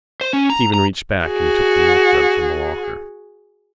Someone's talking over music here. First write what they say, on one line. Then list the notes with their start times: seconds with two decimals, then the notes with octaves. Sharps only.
Stephen reached back and took the milkjug from the locker.
0.21 C5
0.33 C#4
0.50 A#5
0.74 A#5
1.27 F#4 G#4